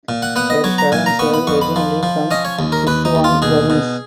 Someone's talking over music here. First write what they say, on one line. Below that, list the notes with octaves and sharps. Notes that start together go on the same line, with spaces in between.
Her parents were originally from Sichuan Province.
A#2
F#5
B3 F#5
D#5
F#3 C#5
A#5
A#2 G#5
A#5
B3 C#6
B5
F2 C#6
B5
F3
F3
C#4 D#5
C#5
D#2
A#4
D#2 B4
D#4
D#2
F4
B2 G#4
B2